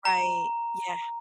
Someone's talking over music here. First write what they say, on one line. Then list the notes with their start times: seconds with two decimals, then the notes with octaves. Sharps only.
Right, yeah.
0.05 A#5